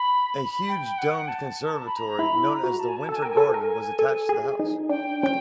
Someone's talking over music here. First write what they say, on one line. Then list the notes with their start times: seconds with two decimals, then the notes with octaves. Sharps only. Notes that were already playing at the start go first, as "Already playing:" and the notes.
A huge domed conservatory known as the winter garden was attached to the house.
Already playing: B5
0.38 B5
0.69 G5
0.98 F#5
1.28 A5
1.67 A#5
1.73 A5
1.86 B5
1.96 A#5
2.19 E4 B5
2.49 A#5
2.64 F#4
2.79 A5
2.89 G#5
2.97 A5
3.09 A4 A5
3.16 G#5
3.22 A#4 G5
3.30 G#5
3.37 A4
3.54 A#4
3.99 A4
4.29 G#4
4.59 D#4
4.89 D4 G5
5.20 C#4 G5